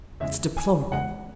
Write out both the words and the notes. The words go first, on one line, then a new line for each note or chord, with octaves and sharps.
It's deplorable.
E2 C#3 G#3 E5
G#5
E2 C#3 G#3 F#5